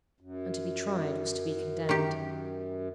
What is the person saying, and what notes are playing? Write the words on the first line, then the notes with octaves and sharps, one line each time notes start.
And to be tried was to be condemned.
F#2
D#3 G4